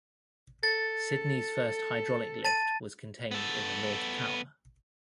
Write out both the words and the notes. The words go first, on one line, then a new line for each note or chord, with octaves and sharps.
Sydney's first hydraulic lift was contained in the north tower.
A4 A6
A5 A6 D#7
B3 A4